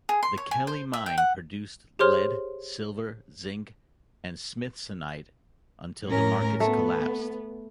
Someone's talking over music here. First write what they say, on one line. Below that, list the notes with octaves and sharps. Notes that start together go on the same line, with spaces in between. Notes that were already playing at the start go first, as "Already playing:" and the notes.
The Kelly Mine produced lead, silver, zinc and smithsonite until the markets collapsed.
G#4
C6
C#5
G#5
C5
E5
G5
F#5
G4 G#4 C5 C#5 C6 F6
A2 C#4 A#4
A3 B3